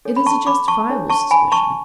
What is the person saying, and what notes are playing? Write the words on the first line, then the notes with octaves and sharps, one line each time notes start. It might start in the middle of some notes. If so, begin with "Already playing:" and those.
It is a justifiable suspicion.
D4 A4 C#5
B5
A5 C#6
B5 D6
A5 C#6
D4 A4 C#5
A5 C#6
G#5 B5
A5 C#6